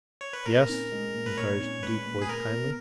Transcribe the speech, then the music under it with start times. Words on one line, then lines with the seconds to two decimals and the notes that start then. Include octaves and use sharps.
"Yes," encouraged the deep voice kindly.
0.21 C#5
0.33 B4
0.46 A#2 A#4
0.69 C#4
0.92 G#3
1.14 A#2
1.26 B4
1.37 A#2 C#5
1.60 C#4
1.83 G#3 B4
2.06 A#2
2.22 G#4
2.29 A#2 A#4
2.51 B3